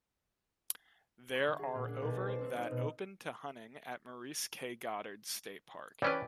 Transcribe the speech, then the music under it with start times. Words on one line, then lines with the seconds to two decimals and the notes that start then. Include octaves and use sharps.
There are over that open to hunting at Maurice K. Goddard State Park.
1.34 C#6
1.48 D3
1.59 G#4
1.75 A#2
1.87 D4
2.02 B1
2.15 A6
2.28 C5
2.41 C4
2.56 D#4
2.71 B2
6.02 E3 C#4 B4 D5 G5